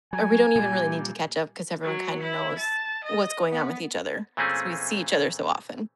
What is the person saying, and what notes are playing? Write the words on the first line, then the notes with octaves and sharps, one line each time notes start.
or we don't even really need to catch up 'cause everyone kinda knows what's going on with each other 'cause we see each other so often.
F#3 G#5
A#2 G3
F#3
E4
A5
D#5
B3
A#2 E3 A3 C4 C#4 G#4